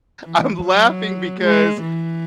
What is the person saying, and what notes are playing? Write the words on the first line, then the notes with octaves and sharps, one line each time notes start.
I'm laughing because
E3
F#3
G#3
E3